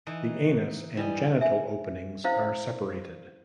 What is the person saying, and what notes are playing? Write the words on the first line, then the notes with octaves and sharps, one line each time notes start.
The anus and genital openings are separated.
E3 D#4
E3 G3 D#5
E5 G#5
C#4 E4 C5 F5